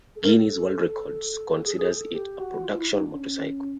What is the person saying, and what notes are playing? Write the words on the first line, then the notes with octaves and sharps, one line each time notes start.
Guinness World Records considers it a production motorcycle.
A4
A#4
A4
G#4
A4
G#4
A4
G4
F#4
F4
E4
D#4
D4
C#4